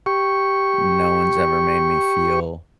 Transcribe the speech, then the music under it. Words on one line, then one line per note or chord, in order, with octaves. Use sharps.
no one's ever made me feel
G4 C#6